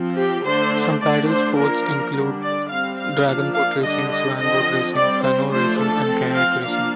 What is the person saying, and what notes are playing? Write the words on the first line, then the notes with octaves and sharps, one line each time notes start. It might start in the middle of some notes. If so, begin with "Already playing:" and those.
Some paddle sports include dragonboat racing, swanboat racing, canoe racing and kayak racing.
Already playing: F3 C4
G4
D3 A3 D4 C5
D3 A3 D4 D5
C5
F3 A#3 D4 A#4
D3 G3 D4
D5
G3 C4 F5
F5
F3 A#3 D4
F5
D3 G3 D4 D#5
D#5
D3 F3 C4 D#5
G3 C4 D5
C5
F3 A3 D4 C5
A4
F3 C4
F5
F3 A#3 D4 F5